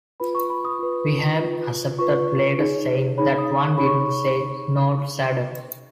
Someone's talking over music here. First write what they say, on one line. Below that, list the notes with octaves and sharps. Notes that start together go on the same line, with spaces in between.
Wihaib accepted, later saying that one didn't say no to Saddam.
F4 B4 B5
C#6
B5
D#6
F4 B4
F4 B4
F4 B4 C#6
D#4 G#4 C#5
D#4 G#4 C#5 B5
D#6
C#6
D#4 G#4 C#5 B5
C#6